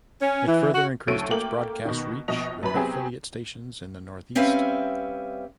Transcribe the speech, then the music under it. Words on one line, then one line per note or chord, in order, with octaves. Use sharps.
It further increased its broadcast reach with affiliate stations in the northeast.
C#4
E3
F#4
F#1 D2 A4 C#5 D7 D#7
A3 A#3 G5 D6 F#7
B2 D#3
A#1 B2 D#5 F7
F#1 F#2 B4 B5
F#3 B3 C4 G4 G#4
G3 C4 C#4 B4 E5 F5